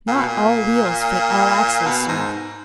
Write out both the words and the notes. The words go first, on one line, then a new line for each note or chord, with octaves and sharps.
"Not all wheels fit all axles, sir."
A#2
B2
A#2
B2
G#2